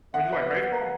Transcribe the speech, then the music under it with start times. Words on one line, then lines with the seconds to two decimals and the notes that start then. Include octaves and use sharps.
Oh, you like baseball?
0.14 E5 F#5
0.32 B4
0.49 F#5